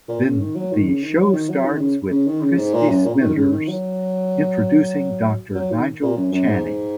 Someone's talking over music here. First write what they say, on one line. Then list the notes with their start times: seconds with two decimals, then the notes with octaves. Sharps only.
Then the show starts with Christie Smithers introducing Doctor Nigel Channing.
0.08 A#2
0.25 C#3
0.40 D#3
0.55 F#3
0.72 D#3
0.87 C#3
1.03 D#3
1.17 F#3
1.33 D#3
1.49 F#3
1.64 D#3
1.75 D#3
1.80 C#3
2.11 C#3
2.27 D#3
2.42 C#3
2.58 G#2
2.74 A#2
2.89 F#2
3.06 A#2
3.14 C#3
3.20 D#3
3.36 C#3
3.52 D#3
3.67 F#3
5.55 F#3
5.71 D#3
6.02 A#2
6.17 F#2
6.32 F#2
6.48 G#2
6.64 G#2